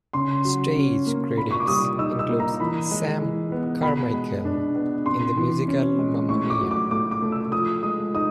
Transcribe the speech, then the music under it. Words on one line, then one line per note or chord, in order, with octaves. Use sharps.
Stage credits include Sam Carmichael in the musical Mamma Mia!
C#3 C6
F#3
C#4
A#3
A#2 B5
C#6
D6
G3 D#6
D#4 E6
E6
A#3
A#5
E3 B5
G#3
E3
B3
B2 B5
G#3
D4
B3
C3 C6
E3
C#4
G#3
A2 C#6
D6
F#3
D6
A2 D6
D6
A3
E6
F3 D#6
G#3 D#6
D#4 D#6